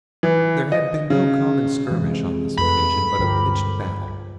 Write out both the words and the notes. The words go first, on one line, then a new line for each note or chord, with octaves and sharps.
There had been no common skirmish on this occasion, but a pitched battle.
E3
D#5
C#3
C3 E3 G#3
F2 A3 A4 B4 B5
D2 G2 F3 G4 A#4